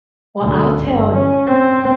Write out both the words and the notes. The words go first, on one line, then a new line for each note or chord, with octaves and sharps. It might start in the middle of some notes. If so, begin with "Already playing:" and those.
Well, I'll tell ya.
D2
G1
C#4
C4